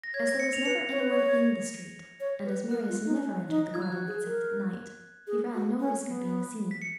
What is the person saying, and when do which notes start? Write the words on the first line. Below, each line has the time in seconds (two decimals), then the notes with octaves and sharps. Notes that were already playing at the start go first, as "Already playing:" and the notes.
As there was never any one in the street, and as Marius never entered the garden except at night, he ran no risk of being seen.
0.04 A#6
0.14 C#5 G#6
0.27 A#6
0.40 C#7
0.53 F7
0.65 B4 C#7
0.91 C#5
1.00 B4
1.10 C#5
2.20 C#5
2.45 B4
2.71 A#4 F#6
2.88 F4
3.05 D#4
3.23 C#4
3.49 D#4
3.73 F4 G#6
3.82 F#6
3.90 F#4 G#6
4.08 G#4
4.25 A#4
5.27 G#4
5.54 F#4
5.79 C#4
6.05 B3
6.71 B6
6.82 C#7